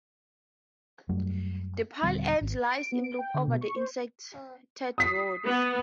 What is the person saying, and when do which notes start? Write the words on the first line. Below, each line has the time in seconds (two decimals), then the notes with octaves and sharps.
The pile ends lie in loops over the inserted rods.
1.09 F#2 F#3 G3 A3
2.03 D#1 D3 G3 C4
2.41 G#1
2.71 D7
2.92 B3
3.04 D7
3.19 G5
3.34 D3
3.47 B2
3.61 C#6
3.76 C5
4.98 D#6 B6 C7
5.46 B3